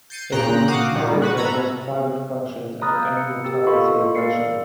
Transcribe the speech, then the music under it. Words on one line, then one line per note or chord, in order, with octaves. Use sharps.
A community center hosts private functions and annual town celebrations.
G6 A6 C7 C#7 D#7
A#2 C#3 G5 A#5 F#6
F#4 F5 F#5 D6 D#6
A#2 D#3 G3
F#4 B4 F#5
A4 A#5 B5 G#6
A#5 B5 D#6 F6 F#6 A6
F5 E6 G6
C#7
G4 A#4 E6 A6
F4 A4 D#5 F5 B5 C#6
A#4 D5 F5 E6 C7 C#7